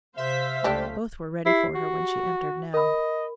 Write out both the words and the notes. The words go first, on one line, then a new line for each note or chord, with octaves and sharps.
Both were ready for her when she entered now.
C3 C5 E5 F5 B6
C#2 G3 A3 D4 G4
E4 G4 C7
F#4
A#4 D#5 B5